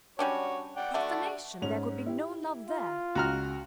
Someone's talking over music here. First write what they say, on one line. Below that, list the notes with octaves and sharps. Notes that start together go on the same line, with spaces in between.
Profanation! There could be no love there.
G3 C#4 D4 F#4 C#5
D5 F#5 G5
D3 A3 D4 F#4
G#2 C#4 F7
E4 G4
F4
C#2 F#4 A#5 F6